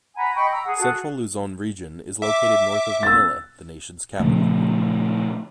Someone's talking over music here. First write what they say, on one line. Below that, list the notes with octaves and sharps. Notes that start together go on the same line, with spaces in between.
Central Luzon Region is located north of Manila, the nation's capital.
F#5 G#5 A#5 B5
D#5 G5 B5 C#6
A#5 E6
G#4 F#5
F#4 G#4 A4
E5 D6
E6 A6
A#2 C#3 F3 A3